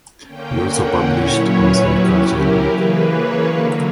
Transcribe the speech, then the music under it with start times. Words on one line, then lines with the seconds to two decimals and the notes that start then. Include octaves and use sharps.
He also published on sericulture in Oudh.
0.24 D3 A#3 C#4 G5
0.63 F#5
1.04 A#2 F#3 C#4 E4 C#5
1.44 B4
1.84 F#3 C#4 E4 G4
2.24 A#4
2.64 C#3 E3 A#3 B4
3.04 C#5
3.43 D3 F#3 A#3